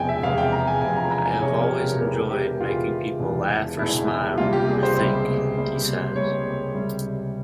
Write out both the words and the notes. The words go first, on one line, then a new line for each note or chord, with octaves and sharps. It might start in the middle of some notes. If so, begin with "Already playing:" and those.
I have always enjoyed making people laugh or smile or think, he says.
Already playing: E1 E2 C3 F3 G#3 G5 G#5
E5
E1 E2 C3 F3 G#3 F5
G5
A#5
G#5
E1 E2 C3 F3 G#3 G#5
A#5
A#5
G#5
E1 E2 C3 F3 G#3 C#5
A#4
G4
E1 E2 C#3 E3 A#4
A#4
G4
E1 E2 C#3 E3 F4
E1 E2 C#3 E3
E1 E2 C#3 E3 E4
C#2 C3 G3 A#3 F4
G4
G#4
C5
C#2 C3 G3 A#3
C#2 C3 G3 A#3
C#2 C3 G3 A#3 C#5
C#2 C3 G3